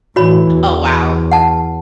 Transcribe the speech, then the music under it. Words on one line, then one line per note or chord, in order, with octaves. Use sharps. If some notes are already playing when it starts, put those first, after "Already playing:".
Oh, wow!
A2 E3 F#4 C#5 B5
E2
F#5 A5